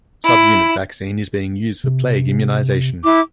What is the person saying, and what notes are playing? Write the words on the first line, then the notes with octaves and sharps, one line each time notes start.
Subunit vaccine is being used for plague immunization.
E4
C3
E4 D6